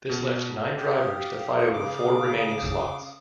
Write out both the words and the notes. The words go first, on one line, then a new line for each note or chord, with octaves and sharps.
This left nine drivers to fight over four remaining slots.
B2
G4
F5 D#6
E2 C#6
C#3 D6